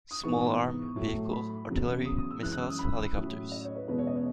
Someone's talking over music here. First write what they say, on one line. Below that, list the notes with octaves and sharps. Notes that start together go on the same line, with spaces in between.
Small arm, vehicle, artillery, missiles, helicopters.
D#6
G#2 E3 B3 C#6
A2 F#3 A3
B5
E2 C#3 F#3
D#6
D#6
E6
F#2 E3 G#3 F#6
F#6
E6
D#6
B5
A2 F#3 C#4
D#5
C#5
B4
E2 B2 G#3 C#4 B4
C#5
D#5
C#5